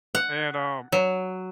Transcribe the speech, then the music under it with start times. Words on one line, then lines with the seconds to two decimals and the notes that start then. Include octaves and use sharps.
and, um,
0.15 F#5
0.92 F#3